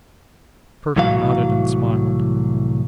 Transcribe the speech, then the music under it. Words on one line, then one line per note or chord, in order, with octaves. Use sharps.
Perker nodded and smiled.
C2 A2 E3 F#3 F5